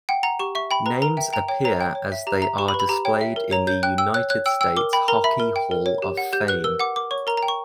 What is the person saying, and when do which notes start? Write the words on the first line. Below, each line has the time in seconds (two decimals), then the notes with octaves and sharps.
Names appear as they are displayed in the United States Hockey Hall of Fame.
0.09 F#5 G5
0.23 F#5 A#5
0.39 G4 C#6
0.55 E5 C#6
0.71 G5 B5
0.86 B4 A#5
1.02 A#4 A#5
1.17 E5 G5
1.33 G5 A#5
1.48 C#5 G5
1.64 C#5 A#5
1.81 G5
1.95 C#5
2.12 E5
2.27 G4 A#5
2.42 E5 A#5
2.58 G4 C#6
2.68 B5
2.74 B4
2.80 B5
2.89 G4 A#5
3.05 C#5 G5
3.21 E5
3.36 A#4
3.51 C#5 A#5
3.67 C#5 G6
3.83 G5 F#6
3.98 G5 E6
4.14 C#5 F#6
4.30 C#5 F#6
4.46 G5 E6
4.61 G5 E6
4.77 A#4 D6
4.93 G5 B5
5.08 A#4 A#5
5.24 E5 B5
5.40 A#4
5.56 G5
5.71 A#4
5.86 C#5
6.02 G4
6.17 F#5
6.33 G4 G6
6.48 B4 F#6
6.64 A#4 E6
6.80 F#5 D6
6.96 A#4 D6
7.11 C#5 C#6
7.27 A#4 A#5
7.37 A#5
7.43 G5
7.48 C#6